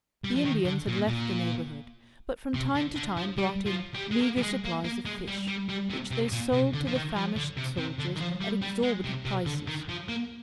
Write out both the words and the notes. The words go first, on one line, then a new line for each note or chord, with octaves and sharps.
The Indians had left the neighborhood, but from time to time brought in meagre supplies of fish, which they sold to the famished soldiers at exorbitant prices.
G3
F3
D#3
D3
A#2
A#2
C3
D3
D3
F3
G3
F3
G3
G#3
A#3
G3
G#3
A#3
A#3
G#3
G3
G3
G3
C3
C3
A#2
C3
D3
F3
D#3
F3
D3
C3
C3
D3
D#3
F3
G3
G3
G#3
C3
C3
D3
D#3
F3
A#3